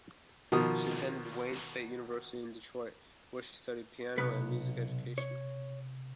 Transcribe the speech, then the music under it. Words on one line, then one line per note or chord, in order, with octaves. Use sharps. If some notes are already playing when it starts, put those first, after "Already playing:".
She attended Wayne State University in Detroit, where she studied piano and music education.
B2 D#3 F3 D#6
B1 C3 B3 B4
C#5